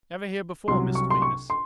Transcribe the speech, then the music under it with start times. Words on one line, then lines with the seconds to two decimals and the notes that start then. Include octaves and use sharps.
Ever here before, Mr Venus?'
0.68 C2 C3 F#3 C6
0.95 C#6
1.10 C6
1.22 C#6
1.50 C6